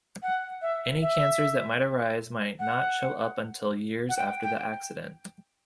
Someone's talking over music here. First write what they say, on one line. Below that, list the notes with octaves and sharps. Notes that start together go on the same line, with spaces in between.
Any cancers that might arise might not show up until years after the accident.
F#5
E5
E5
F#5
F#5
G5
G5